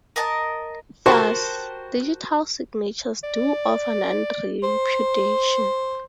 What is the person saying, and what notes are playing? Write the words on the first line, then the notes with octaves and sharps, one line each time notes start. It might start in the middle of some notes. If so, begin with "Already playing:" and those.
Thus, digital signatures do offer non-repudiation.
A#4 D#5 A5
F#4 G4 A#4 C5 A5 C#6
D5
C5